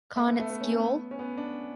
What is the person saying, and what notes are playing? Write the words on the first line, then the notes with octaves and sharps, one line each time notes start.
Carnets Geol.
A3
B3
A3
B3
C#4
B3
C#4
B3
D4